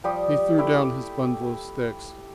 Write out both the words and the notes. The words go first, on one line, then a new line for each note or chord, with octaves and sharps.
He threw down his bundle of sticks.
F3 G3 G4 D#6
A3 E4 G5 D6